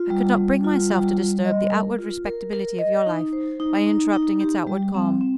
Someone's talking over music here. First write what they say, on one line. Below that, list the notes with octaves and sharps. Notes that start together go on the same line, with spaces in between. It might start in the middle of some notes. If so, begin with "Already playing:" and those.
I could not bring myself to disturb the outward respectability of your life by interrupting its outward calm.
Already playing: F4
G3
G3
F4
G3
G3
D#5
A#4
F4
A#4
A#4
D#5
D#4
C5
D#4
D#4
D#4
G4
G3
C4
C4